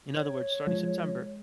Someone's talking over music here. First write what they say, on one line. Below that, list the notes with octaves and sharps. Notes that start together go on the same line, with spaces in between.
in other words, starting September,
C#5
F3 G#3